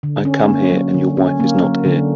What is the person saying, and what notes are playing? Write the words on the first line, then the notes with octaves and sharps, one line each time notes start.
I come here, and your wife is not here.
D3
C#4
A#3
F#3
D3
C#4
A#3
F#3
D3